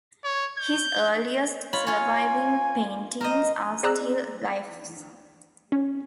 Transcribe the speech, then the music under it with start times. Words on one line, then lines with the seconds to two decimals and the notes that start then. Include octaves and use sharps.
His earliest surviving paintings are still lifes.
0.24 C#5
0.58 G6
1.73 F4 C#5 B5
1.87 F4 C#5 G#5
3.21 A#4 C5 D#5
3.83 C4 G#4 D5 A#5 E6 F#6
5.72 C#4